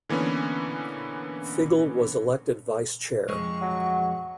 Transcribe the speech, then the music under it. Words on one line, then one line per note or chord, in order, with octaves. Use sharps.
Figl was elected vice chair.
D3 E3 A#3 B3 C#4
F2 G#3 C#6
F#3